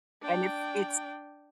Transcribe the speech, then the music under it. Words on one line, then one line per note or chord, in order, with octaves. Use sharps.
and if it's
D4 G5